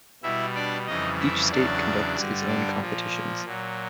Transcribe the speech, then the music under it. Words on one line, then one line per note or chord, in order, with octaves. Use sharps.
Each State conducts its own competitions.
B2 G3 E4 E5
D4 D5
F2 C#3 E3 G3 D#4 D#5
E4 E5
E2 C#3 F#3 D4 D5
G2 D3 G3
D4 D5
A#2 F3
A#2 F#3